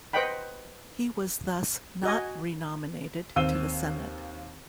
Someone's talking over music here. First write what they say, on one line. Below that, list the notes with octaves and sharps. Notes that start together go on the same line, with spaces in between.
He was thus not renominated to the Senate.
B4 C5 D#5 F#5 G5 B5
F#4 D#5 G#5
D#2 C4 F5 E6 D#7 G7